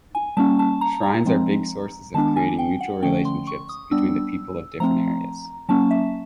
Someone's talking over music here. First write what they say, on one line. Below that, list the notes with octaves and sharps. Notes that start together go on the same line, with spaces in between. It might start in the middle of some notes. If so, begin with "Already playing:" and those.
Shrines are big sources of creating mutual relationships between the people of different areas.
G#5
G3 A#3 C#4 A5
A5
A#5
A#5
F3 G#3 C4
D#3 G#3 B3 D4 A5
G#5
G5
F#5
D3 F3 A3 C#4 G5
C6
C#6
D#6
G3 B3 D4 E6
F3 A3 C4 A#5
F#3 A#3 C#4 A5
E5